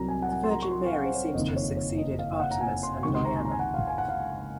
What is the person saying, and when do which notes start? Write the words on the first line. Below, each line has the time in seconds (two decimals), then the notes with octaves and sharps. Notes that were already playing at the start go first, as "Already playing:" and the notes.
The Virgin Mary seems to have succeeded Artemis and Diana.
Already playing: C2 C3 F#3 C4 A#5
0.08 G#5
0.22 F#5
0.29 G#5
0.44 C6
0.50 A#5
0.62 C#6
0.71 C6
0.86 F5
0.93 F#5
1.05 C5
1.14 C#5
1.34 F#1 F2 D#3 D#5
1.56 C#5
1.77 C#5
1.98 D#5
2.19 F5
2.35 F5
2.40 F#5
2.51 A#5
2.61 G#5
2.83 C6
3.03 C#2 C3 D#3 C#6
3.15 C6
3.25 A#5
3.35 G#5
3.45 A#5
3.51 G#5
3.59 F#5
3.74 F5
3.87 G#5
3.98 F#5
4.08 F5